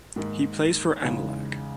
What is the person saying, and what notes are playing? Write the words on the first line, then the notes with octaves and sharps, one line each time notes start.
He plays for Emelec.
G#2 D#3 A#3 D#4
E2 C#3 G#3 D#4